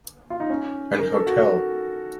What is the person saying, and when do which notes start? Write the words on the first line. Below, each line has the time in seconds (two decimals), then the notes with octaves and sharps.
An hotel.
0.30 F4
0.40 D#4
0.50 C#4
0.99 A#4
1.13 A4
1.26 F#4